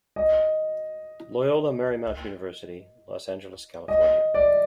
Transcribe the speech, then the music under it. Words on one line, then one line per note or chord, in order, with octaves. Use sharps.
Loyola Marymount University, Los Angeles, California.
D#5
D#5
D5